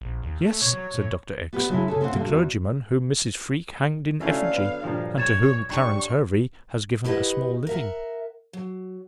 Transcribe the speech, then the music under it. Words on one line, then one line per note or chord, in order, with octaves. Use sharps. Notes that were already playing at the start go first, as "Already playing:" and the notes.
"Yes," said Dr. X----, "the clergyman whom Mrs. Freke hanged in effigy, and to whom Clarence Hervey has given a small living."
A#1
D#2
A3
B2 C#5
F#3
A2
B3 G4 B4 C#5 D5 F#5
C#3 F#3 G#3 C4 D4 E4
C#3 G#4 A4
B3 C4 D4 D5 F5 F#5
A#2 D3 F3 G3 A#3
E2 F#4
D3 F#3 A3 C#4 D4 E4 F5
B3
G2 A#2 F3
C#5 G#6 A6 E7
F#3 D4 G4 C#6
E4 G4 B4 D#5 F#5
A#4 E5 F#5
F#3